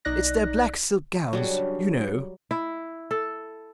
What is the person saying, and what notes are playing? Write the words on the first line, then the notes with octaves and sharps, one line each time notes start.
"It's their black silk gowns, you know."
B1 D#4 D5 F#6 A#6
F#2 C#3 F#3 G3 D4
E4
A4